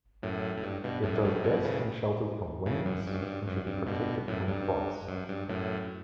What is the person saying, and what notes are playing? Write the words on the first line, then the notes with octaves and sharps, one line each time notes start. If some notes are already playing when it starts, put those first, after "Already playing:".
It does best when sheltered from winds and should be protected from frost.
F#2 A2
A2
G2
G2 B2
F#2 A2
G2
F#2 A2
A2
G2 B2
A2 C#3
A2 C#3
F#2
G2
F#2
G2
F#2
G2
G2 B2
F#2 A2
G2
F#2
G2
F#2 A2